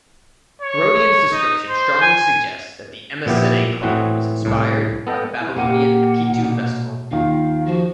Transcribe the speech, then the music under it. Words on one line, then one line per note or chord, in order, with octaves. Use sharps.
Herodian's description strongly suggests that the Emesene cult was inspired by the Babylonian Akitu-festival.
C#5
D#4
C5
G#5
A#2 F3 B3 E4 G4
A2 E3 B3 C4 F#4
C2 A2
B3 A4 D#5 G5
E4
A#2 A#3 G4 F#5 D#7
B2
D#2 D#3 F4 F5
F3 F#4